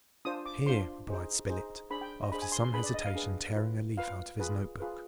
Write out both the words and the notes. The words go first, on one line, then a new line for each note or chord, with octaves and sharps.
"Here," replied Spilett, after some hesitation tearing a leaf out of his note-book.
D4 F4 C5 D#6
D6
D4 F4 C5 C6
D#4 G#4 C5
D#4 G#4 C5
D4 G#4 C5 B5
G5
D#5
D4 G#4 C5 B5
G#5
C6
C6
D4 G#4 B4 B5
D5
D#5
F5
D4 G#4 B4
F4 B4
F4 B4 F5
F4 G#4 B4
F4 G#4 B4